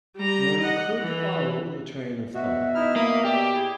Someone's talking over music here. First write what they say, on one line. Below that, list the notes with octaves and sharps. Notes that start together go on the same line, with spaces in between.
One could follow the train of thought.
G3 A#5
D#5 F#5
E3
B2 F#4 E5
D#4 E4 F6
A#3 D#6
G4 D5 D6 E6
E4 G#4